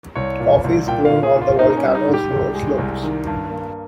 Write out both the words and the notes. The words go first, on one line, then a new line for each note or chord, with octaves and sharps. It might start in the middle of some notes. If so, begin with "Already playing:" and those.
Coffee is grown on the volcano's lower slopes.
C2 C#5
A#2
C2
A#2 G5
F5
A#2
G#4
A#2
F4
A#3 D#4
D#4
C#4
G3
D#4
G#2
G4
C2
G#3
C2
D#3
G2
A#3